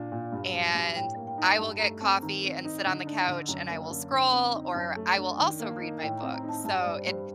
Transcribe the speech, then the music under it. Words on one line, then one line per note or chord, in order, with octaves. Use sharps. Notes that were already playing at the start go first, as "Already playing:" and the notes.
and I will get coffee and sit on the couch and I will scroll, or I will also read my books. So, it
Already playing: A#2 D4
A#2
G2
F#3
G2
A2 G5
A#3
G5
D#4
G2 A5
A3 A#5
C4 A5
D#3 A#5
C4
D#4
D3
D4
D3
F#2 A#5
A#3
F#2
D3
C4
D#4
F#2 A5
A3
D4
D#3
A#3
D#4
A2 G5
A#5
C4
A#5
D#4 A5
G2 A5
D5
G3
C5
G2
C5